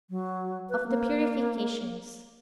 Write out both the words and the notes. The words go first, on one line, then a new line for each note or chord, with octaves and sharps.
Of The Purifications.
F#3
B4
A#3